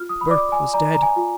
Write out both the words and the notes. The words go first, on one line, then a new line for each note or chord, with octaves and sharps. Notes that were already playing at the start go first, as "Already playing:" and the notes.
Burke was dead!
Already playing: F4 F6
D#6
B5
D5 D6
G#5
D5 A#5
A#5
G#5
F4